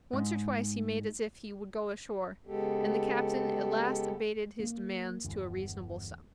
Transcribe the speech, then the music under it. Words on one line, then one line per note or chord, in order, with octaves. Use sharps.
Once or twice he made as if he would go ashore, and the captain at last abated his demands to a reasonable sum.
G#2
C#3 G#3 B3 G4 A4
A#3
G1 E2